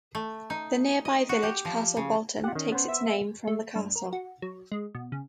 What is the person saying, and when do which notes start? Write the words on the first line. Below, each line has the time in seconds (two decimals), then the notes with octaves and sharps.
The nearby village Castle Bolton takes its name from the castle.
0.15 A3
0.50 D#4
1.05 D#5
1.29 F#4
1.43 G4
1.65 F3
1.97 C#3
2.44 F4 G4 F#5
2.55 D#3 C#4
2.72 B3 C5
2.88 E5
3.47 A3
3.76 G2
3.96 A#4
4.13 F#4
4.42 F#3
4.72 G#3
4.95 B2
5.12 C#3